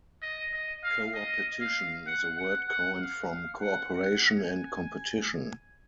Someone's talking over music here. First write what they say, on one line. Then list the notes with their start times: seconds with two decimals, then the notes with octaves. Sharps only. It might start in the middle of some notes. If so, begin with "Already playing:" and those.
"Coopetition" is a word coined from cooperation and competition.
0.22 D#5
0.53 D#5
0.84 F5
1.14 D#5
1.60 F5
2.07 F#5
2.38 F#5
2.69 F#5
3.00 F5
3.30 F5
3.61 F#5
3.91 F#5
4.38 G#5